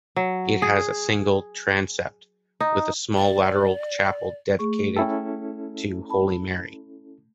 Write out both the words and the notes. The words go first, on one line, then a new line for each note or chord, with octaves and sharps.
It has a single transept, with a small lateral chapel dedicated to Holy Mary.
F#3
G#4
D#4
D5
A3 G#4 C#6
C#4 E4 A4 G5
A5 B5